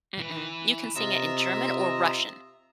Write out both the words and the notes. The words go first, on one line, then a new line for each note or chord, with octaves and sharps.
Mm-mm, you can sing it in German or Russian,
E3 B4
C3 F4 D#5 E5 A#5